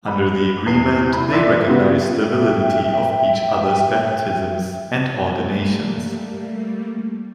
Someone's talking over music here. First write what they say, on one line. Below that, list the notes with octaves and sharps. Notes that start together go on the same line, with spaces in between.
Under the agreement, they recognize the validity of each other's baptisms and ordinations.
B5
E2 C7
E4 B5
D5 E5 C6 D6 B6
A#2 C#3 G3 B3 F#4
E5 G5
G3 A3 A#3